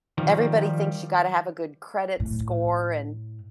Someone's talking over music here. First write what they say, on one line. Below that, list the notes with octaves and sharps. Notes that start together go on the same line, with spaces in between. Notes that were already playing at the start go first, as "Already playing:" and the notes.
everybody thinks you gotta have a good credit score and
D#3 F3 G3
A2